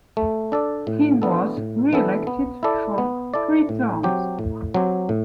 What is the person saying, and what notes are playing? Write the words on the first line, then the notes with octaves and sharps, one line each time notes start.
He was re-elected for three terms.
A3
D4 A4 D5
A2
E3 B3 D4 A4
A2
E3 B3 D4 A4
B3
E4 A4 D5
B3
E4 A4 D5
A2
F#3 C4 G4
A2
F#3 C4 G4
A2